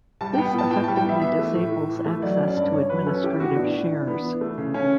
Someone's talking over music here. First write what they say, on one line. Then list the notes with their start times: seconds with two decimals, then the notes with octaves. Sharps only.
This effectively disables access to administrative shares.
0.21 G3 A5
0.33 G5
0.38 B3
0.46 G5
0.54 A2 A5
0.71 A2 G5
0.83 G3 A5
0.96 G5
1.05 B3 E5
1.21 E3 E5
1.39 A3
1.55 A2
1.72 A2
1.89 E3
2.06 A3
2.22 F#3 D5
2.39 C#4
2.48 D5
2.56 G2
2.73 G2 C#5
2.89 F#3 B4
3.06 C#4 A4
3.23 E3 G4
3.40 B3 F#4
3.57 A2 D4
3.74 A2
3.91 E3
4.07 B3
4.24 E3
4.41 A3
4.58 C#3
4.74 C#3 C#4